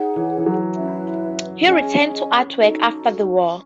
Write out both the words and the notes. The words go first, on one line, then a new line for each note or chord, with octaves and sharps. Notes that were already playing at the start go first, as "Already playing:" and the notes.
He returned to artwork after the war.
Already playing: D#4 G#4 C#5 F#5
E3
E3
F#3
C#4 E4 B4 E5
C#4 G#4 D#5 G#5
D#4 F#4 A4